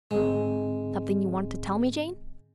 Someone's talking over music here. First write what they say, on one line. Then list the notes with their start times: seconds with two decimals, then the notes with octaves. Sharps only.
Something you wanted to tell me, Jane?'
0.11 G#2 D3 G#3 C4